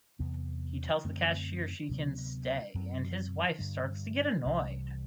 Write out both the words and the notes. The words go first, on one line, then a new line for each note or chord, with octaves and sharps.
He tells the cashier she can stay and his wife starts to get annoyed.
E2 C3 F#3 B3
F#2 D3 A3 C4
D2 C3 F#3 B3
F#2 F#3 C4
G2 D3 G3
C2 C3 E3 G3